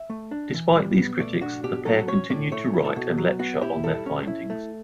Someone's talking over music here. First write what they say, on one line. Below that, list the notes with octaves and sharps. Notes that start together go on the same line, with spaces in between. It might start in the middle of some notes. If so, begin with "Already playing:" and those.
Despite these critics the pair continued to write and lecture on their findings.
Already playing: E5
A3
D4
E3
G3
B3
A3 D5
D4 F#4
B2 G4
F#3 A4
C#4 C#5
A2 D5
A3 C#5
E4
A4
B2
F#3
B3 F#4
E4 G4
G3 A4
C#4
E4
A3